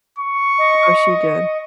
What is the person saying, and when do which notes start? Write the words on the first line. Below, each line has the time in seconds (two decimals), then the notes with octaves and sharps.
Oh, she did.
0.18 C#6
0.58 D#5